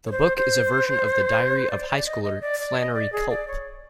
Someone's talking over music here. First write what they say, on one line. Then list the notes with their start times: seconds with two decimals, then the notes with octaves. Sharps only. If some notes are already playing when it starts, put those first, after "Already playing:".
The book is a version of the diary of high-schooler Flannery Culp.
0.06 C#5
0.11 C5
0.37 C5
1.71 D5
1.89 D5
2.06 D#5
2.24 D#5
2.41 D5
2.60 D5
2.78 D#5
2.94 D5
3.12 G#4
3.30 D5
3.48 C#5